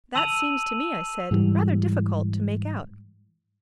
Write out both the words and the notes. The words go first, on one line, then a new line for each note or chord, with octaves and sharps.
"That seems to me," I said, "rather difficult to make out."
A5 E6 D#7 F7 F#7
G#2 E3 G3